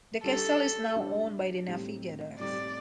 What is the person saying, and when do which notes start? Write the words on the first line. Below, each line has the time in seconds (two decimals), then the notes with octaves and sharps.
The castle is now owned by The Navigators.
0.24 G3 D4 G4 A4
0.96 G3 D4 G4
1.68 A2 G3 C4 D#4 G4
2.39 A2 G3 C4 D#4 G4 D5